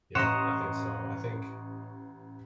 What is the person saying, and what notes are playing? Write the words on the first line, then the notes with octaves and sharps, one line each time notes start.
Yeah, I think so, I think
A1 C#5 D#5 F#5 A#5 C6 E7